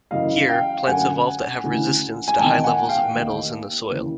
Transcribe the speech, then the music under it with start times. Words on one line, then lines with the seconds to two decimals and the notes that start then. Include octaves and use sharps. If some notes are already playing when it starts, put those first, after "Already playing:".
Here, plants evolve that have resistance to high levels of metals in the soil.
0.11 F#2 C#3 E3 D#5 F5
0.49 F5 G5
0.87 F#2 D3 F#5 G#5
1.64 D2 C#3 E3
2.28 G#5
2.39 E2 C3 D#3 G5 A5
2.64 F#5 G#5
2.89 F5 G5
3.14 D#2 D#3
3.90 D#2 C#3 E3